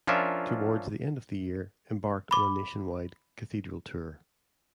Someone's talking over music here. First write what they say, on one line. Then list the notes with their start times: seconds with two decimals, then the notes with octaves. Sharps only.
Towards the end of the year, embarked on a nationwide cathedral tour.
0.07 F3 C#4 D4 F4 A#4 E5
2.31 B5 D6